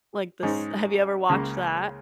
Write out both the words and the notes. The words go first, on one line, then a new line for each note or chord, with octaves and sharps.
Like this have you ever watched that?
G#2 G#3 C#4
C#2 C#3 A#3 C#4